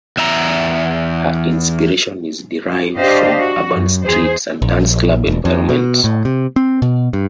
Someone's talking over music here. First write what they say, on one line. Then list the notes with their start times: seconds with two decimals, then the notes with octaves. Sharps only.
Her inspiration is derived from urban streets and dance club environments.
0.17 E2 E5 A#5
2.97 D4 G4 C5 D#5 F5
3.40 F#4
3.73 F#2
4.03 E2 G#4 C5
4.62 A#1
5.27 E1
5.45 F2
5.69 B2
6.04 A2
6.25 C3
6.56 C4
6.82 B2
7.13 G2